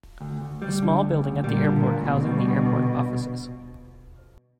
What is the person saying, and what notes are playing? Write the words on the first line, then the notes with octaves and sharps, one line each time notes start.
A small building at the airport housing the airport offices.
D2
D2
G3
D3
D2
D2
A#2 G3
D3
A#2
D2
D2 B2
G3
D3
A#2